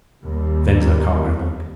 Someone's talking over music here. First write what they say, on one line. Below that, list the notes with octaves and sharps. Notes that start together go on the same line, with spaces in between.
Venza caught my look.
D#2 G3